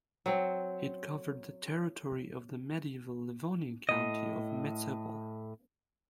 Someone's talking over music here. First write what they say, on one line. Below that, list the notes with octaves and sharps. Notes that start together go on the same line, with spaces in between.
It covered the territory of the medieval Livonian county of Metsepole.
F#3 C4
A2 D#5